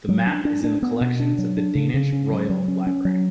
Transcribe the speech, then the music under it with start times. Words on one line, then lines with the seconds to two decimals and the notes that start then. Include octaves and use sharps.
The map is in the collections of the Danish Royal Library.
0.08 F#3
0.27 D4
0.45 D4
0.64 D4
0.82 B3
1.01 B2
1.20 D4
1.38 F#3
1.57 D4
1.75 C#3
1.94 C#3
2.12 C#4
2.31 F#3
2.49 F#3
2.68 C#4
2.87 C#4
3.05 F#3